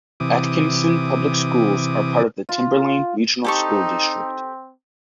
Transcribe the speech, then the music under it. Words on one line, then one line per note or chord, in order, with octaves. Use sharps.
Atkinson Public Schools are part of the Timberlane Regional School District.
C3 E3 D6 D#6
F4
C4 D#4 G4 A4 C#6